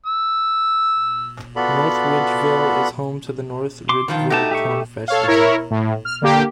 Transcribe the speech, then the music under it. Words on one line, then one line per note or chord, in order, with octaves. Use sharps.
North Ridgeville is home to the North Ridgeville Corn Festival.
E6
B3 F4 F#4 A4 D5 B5
C6 D6
G2 D#3 F3 F4
A3 D#4 F#4 G4 A5
G4 E5 C#6
A4 C#5 F5
E4 A#4 C#5
A2
F6
D3 A#3 G4